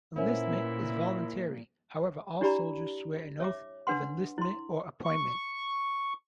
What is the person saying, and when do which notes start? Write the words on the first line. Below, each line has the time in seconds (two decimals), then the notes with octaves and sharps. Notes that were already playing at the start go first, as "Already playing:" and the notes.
Enlistment is voluntary, however all soldiers swear an oath of enlistment or appointment.
0.16 A#2 B3 C#4 E4 A#4 C5 E5
2.41 D4 E4 G4 D5 A#5 B5
3.40 C#5 E5 D6
3.87 D4 B4 F#5 C6
4.38 E4 C6
5.04 C#6